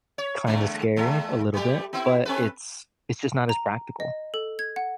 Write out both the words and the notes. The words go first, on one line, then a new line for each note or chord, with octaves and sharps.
kinda scary a little bit, but it's it's just not as practical.
C#5
E2 D3 G#3
E2 G#3 A4
G3 A3 G4
B3 C4 E4
C4 A4 B4
A#5
D#5
A4
G#6
F#5